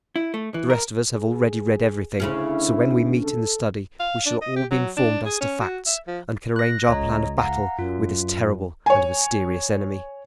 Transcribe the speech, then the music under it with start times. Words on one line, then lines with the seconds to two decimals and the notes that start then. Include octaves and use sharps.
The rest of us have already read everything; so when we meet in the study we shall all be informed as to facts, and can arrange our plan of battle with this terrible and mysterious enemy.
0.16 E4
0.34 A3
0.54 E3
0.70 A#4
1.13 G#4
2.20 D2 C#3 C#4 E4
3.22 A4
4.00 F5
4.26 D4
4.41 D#5
4.56 G4
4.71 F#3
4.97 D4
5.26 G#4
5.41 C#4
5.61 F#4
5.87 E5
6.07 F3
6.56 F#6 A#6
6.89 C#2 C#5 D#5 A#5
7.38 F5 F#5 A#5
7.79 F#2 F4
8.86 C#5 G#5